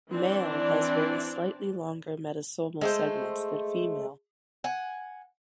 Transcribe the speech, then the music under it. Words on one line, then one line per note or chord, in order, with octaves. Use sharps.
Male has very slightly longer metasomal segments than female.
E3 C4 D4 D5
G#3 A3 C5
F#5 G#5